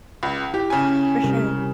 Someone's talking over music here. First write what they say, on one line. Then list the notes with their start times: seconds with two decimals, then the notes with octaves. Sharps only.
for sure.
0.23 C#2
0.54 E4 G4
0.70 C#3 G#5
1.23 C3 G3 A#4